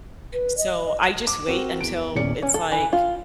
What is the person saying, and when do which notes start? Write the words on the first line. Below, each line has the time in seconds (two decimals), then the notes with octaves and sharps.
So I just wait until it's, like,
0.33 B4
0.58 D#5
0.86 D#5
1.27 D6
1.48 C4 F#4 A#4
1.81 E2 D7
2.16 D#1 E2 C#4 D5 C#7
2.42 C#4
2.54 A4
2.72 E3
2.93 F4